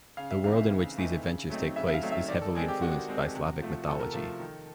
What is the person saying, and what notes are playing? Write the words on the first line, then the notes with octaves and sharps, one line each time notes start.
The world in which these adventures take place is heavily influenced by Slavic mythology.
C#3 F5
E5
E3 A3 C4 D#4 F5
E5
C#3
E3 A3 C4 D#4
C#3
F#3 A3 C4 D#4
C#3 E5
E5
F5
F#3 A3 C4 D#4
E5
D#3 D5
A4
G#3 C4 G#4
G4
D#3 F#4
G#3 C4
C3
F3 A3
C3 A4
A#4
F3 A3 A4
D#3